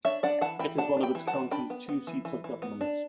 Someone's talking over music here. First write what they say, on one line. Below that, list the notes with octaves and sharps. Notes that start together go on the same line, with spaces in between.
It is one of its county's two seats of government.
D4 C#5 E5
D4 D5 F#5
E3 F#5 A5
E3 G5 B5
D4 F#5 A5
D4
G5 B5
E3
F#5 A5
E3
D4 G5 B5
B3
B3
E3
E3
E3
B3
D4